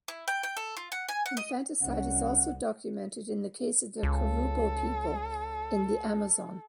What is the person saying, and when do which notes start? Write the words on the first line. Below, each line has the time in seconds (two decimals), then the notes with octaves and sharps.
Infanticide is also documented in the case of the Korubo people in the Amazon.
0.08 E4
0.28 G5
0.43 G5
0.57 A4
0.77 F4
0.92 F#5
1.08 G#5
1.26 F#5
1.37 D#5
1.81 C2 C#4 F#5
4.03 C#2 A4